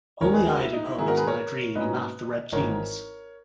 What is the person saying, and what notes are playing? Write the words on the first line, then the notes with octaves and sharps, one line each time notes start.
Only I do hope it’s my dream, and not the Red King’s!
E1 D#2 D#3 G#3 C#4 A#4 C#5
G#4 B4
F#4 A#4
E4
D#4
E4
G#2 D#3 F#3 B3 E4 G#4
F#4 A#4
G#4 B4
A#4 C#5
G#2 F#3 A#3 C#4 B4 D#5
G#1 G#2 E3 A#4 C#5